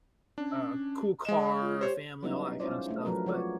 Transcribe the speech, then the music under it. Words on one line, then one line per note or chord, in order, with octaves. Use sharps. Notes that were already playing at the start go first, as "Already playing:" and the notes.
a cool car, a family, all that kind of stuff. But
C#4 D4
G#3 D#5 E7
F4
G4 C5 C#5
F#3 G3 B3 C#4 D#4 E4
G#3 C#4 E4 F4 C5 D5
A3 D4 E4
F3 F#3 A#4 B4
F3 G#3 F#4 C#5 D5